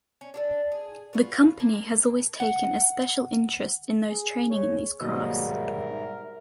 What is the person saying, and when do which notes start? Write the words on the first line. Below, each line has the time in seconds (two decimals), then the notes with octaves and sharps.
The Company has always taken a special interest in those training in these crafts.
0.21 C#4
0.34 D4 F#4 A4
0.72 G#4
1.13 F4 F#4 B4
1.60 A#3 C4 A5
2.40 F#5
4.09 G#4
4.50 C#5
5.01 G#2 B2 D#3 F#3 G3 A#3 D#5
5.49 A#4 E5